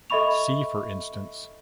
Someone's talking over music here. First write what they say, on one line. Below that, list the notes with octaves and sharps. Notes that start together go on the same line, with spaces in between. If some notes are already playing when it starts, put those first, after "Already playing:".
See for instance.
A4 D#5 E5 B5 C#6 F7